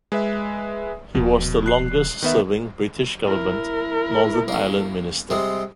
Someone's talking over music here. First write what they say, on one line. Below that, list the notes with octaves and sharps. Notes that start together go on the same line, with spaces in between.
He was the longest serving British government Northern Ireland minister.
G#3 B4 E5
D#1 B2 F3
F#6 C7
D#3 B3 E5
E4 A#4
A#3 C#4
C3 G3 G#3